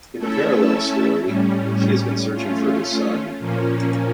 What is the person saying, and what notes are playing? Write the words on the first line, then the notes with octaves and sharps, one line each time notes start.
In a parallel story, she has been searching for her son.
A3 C#4 E4 A4 E5
A2 G3 C#4
A3 C#4 F4
A#2 F3 A#3 C#4